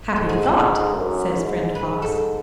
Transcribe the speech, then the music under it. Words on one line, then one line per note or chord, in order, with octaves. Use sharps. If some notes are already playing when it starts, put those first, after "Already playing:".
'Happy thought!' says friend Fox.
G#2 A4
G#4
A4
F#2
G#2
G#2 B4
A4